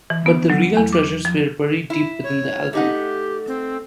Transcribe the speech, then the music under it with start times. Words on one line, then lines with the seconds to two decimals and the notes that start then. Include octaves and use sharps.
But the real treasures were buried deep within the album.
0.10 E3
0.26 B3
0.50 F#3
0.77 E2
0.93 D6
1.25 F3
1.90 E4
2.24 C#5
2.73 A3 D#4 G4 F#5
3.47 C4